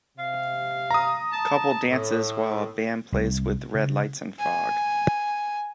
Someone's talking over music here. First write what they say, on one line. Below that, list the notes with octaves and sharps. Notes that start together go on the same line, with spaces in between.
Couple dances while a band plays with red lights and fog.
C3 F5
A#5 D#6
A5
A2
C2
C#3
G#5